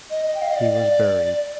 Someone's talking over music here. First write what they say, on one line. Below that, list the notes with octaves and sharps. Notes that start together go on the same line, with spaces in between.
He was buried.
D#5
D#5
G5
F5
D#5
D5